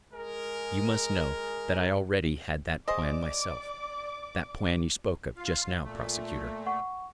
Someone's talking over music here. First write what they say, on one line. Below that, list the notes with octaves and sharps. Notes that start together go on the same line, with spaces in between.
You must know that I already had that plan myself, that plan you spoke of, just now, prosecutor!
G#3 G#4 A#4
G#4 C5 D5 D#5 D6
F4 F5
A#2 A3
F#5 C#6